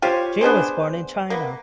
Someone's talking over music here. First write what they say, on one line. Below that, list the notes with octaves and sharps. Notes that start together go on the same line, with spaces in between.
Ge was born in China.
F4 G4 C5 C#5
B3 D4 G#4 C5
A#3 B3